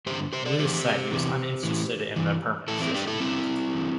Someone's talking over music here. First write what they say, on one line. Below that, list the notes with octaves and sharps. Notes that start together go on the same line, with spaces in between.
Lewis said he was uninterested in the permanent position.
G2 D3 G4 C5
G4 C5
A4 D5
A2 E3 G4 C5
E2 C3 E3
A2 E3
G2 E3
A2 E3 E4 A4
C4 E4
D4 G4
E4 A4
G2 D3 C4 E4
E2 D3